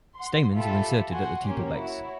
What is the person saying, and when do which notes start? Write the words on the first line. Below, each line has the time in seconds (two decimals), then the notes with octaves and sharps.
Stamens are inserted at the tepal base.
0.18 F#5 C6
0.54 F4 G4 A4 E5 B5
1.10 F#4 F#5 G#5 C6
1.47 A#3 C#4 G4
1.76 E4 F#4 C#5